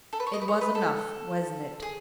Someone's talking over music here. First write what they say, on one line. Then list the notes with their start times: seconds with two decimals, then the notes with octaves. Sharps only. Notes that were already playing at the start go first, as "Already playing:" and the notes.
It was enough, wasn't it?
0.13 A4
0.20 B4
0.27 C#5
0.33 D#5
0.42 B4
0.48 C#5
0.61 B4
0.75 A4
1.82 G#4